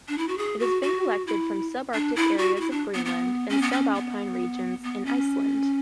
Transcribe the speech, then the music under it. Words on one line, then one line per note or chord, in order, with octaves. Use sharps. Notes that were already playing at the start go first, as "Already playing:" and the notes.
It has been collected from subarctic areas of Greenland, and subalpine regions in Iceland.
D4
E4
F#4
G#4
F#4
F#4
E4
D4
E4
F#4
F#4
E4
D4
B3
B3
C#4
B3
C#4
B3
B3
C#4